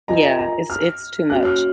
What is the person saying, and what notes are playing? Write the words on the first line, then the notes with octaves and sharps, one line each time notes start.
Yeah, it's it's too much.
F4 A#4 D#5 G#5 A#5
A#5
F6
A#3 C#4 F#4 C#5 F#6
F6